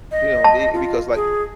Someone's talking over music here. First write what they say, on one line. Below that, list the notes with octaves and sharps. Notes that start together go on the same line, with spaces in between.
You know? B because, like
D#5
A5
F4
G#4